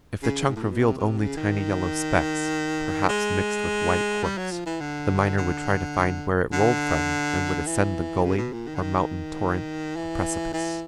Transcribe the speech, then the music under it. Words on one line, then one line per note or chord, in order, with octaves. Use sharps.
If the chunk revealed only tiny yellow specks, perhaps mixed with white quartz, the miner would try to find where it rolled from and would ascend the gully, or mountain torrent, or precipice.
C#3
G#2
A2
A#2
B2
C3
C3
C#3
D#3
G#3
G3
F#3
F3
E3
D3
D3
D3
E3
C#3
B2
A#2
D#3
D3
D#3
E3
E3